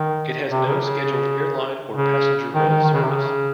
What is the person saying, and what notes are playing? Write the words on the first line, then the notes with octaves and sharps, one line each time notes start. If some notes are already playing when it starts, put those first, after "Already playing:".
It has no scheduled airline or passenger rail service.
Already playing: D#3
C3
C#3
C#3
C#3
D#3
D#3
D#3
C#3
C3
C#3